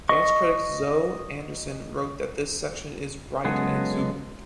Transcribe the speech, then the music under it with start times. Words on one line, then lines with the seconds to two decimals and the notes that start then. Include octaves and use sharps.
Dance critic Zoe Anderson wrote that this section is "bright and exuberant".
0.09 D#5 C#6
3.44 C#3 F#3 G#3 B3 G#4 A4